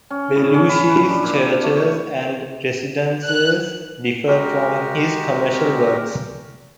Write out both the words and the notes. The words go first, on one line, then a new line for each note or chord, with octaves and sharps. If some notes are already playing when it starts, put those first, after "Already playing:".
Belluschi's churches and residences differed from his commercial works.
C#4
A2
C#4
B5
B4
D4
A#2
A3
C#5
F#6
G#3 F#4 G4 A#4